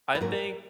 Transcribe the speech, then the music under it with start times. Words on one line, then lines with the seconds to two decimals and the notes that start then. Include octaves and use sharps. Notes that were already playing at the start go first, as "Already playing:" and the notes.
I think
0.15 B4
0.21 G#2 F#3 A#3 A#4